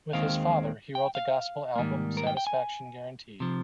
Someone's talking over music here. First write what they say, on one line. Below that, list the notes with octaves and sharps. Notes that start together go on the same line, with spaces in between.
With his father, he wrote the gospel album "Satisfaction Guaranteed".
D#2 D#3 G#3 C4 F5
G5
F5
G#2 D#3 G3 A#3
A#4
G5
G5
G#5
C3 F3